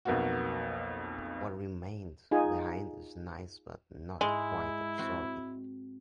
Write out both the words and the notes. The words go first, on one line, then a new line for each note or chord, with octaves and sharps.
What remained behind is nice but not quite absorbing.
B1 F2 A#3 B3 F#4
D#4 F4 G#4 G#5
G#2 G#3 E4
C4 F#4 C6